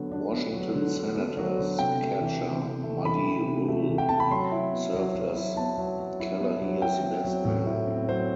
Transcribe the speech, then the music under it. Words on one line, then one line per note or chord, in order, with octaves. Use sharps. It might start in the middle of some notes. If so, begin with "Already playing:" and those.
Washington Senators catcher Muddy Ruel served as Kelleher’s best man.
Already playing: D3 F#3 B3
D4
B3
F#3
D3
D4
B3
F#3
D3
C3 G5
A3
E3
C3
C3
A3
E3 B5
C3
C3
A3
E3
G5
C3 A5
B5
F#3 C6
E4
B3
F#3
F#3
E4
B3 A5
F#3
F#3
E4
B3
F#3
E4 G5
C4
F#3
A2
E4
C4
F#3 C5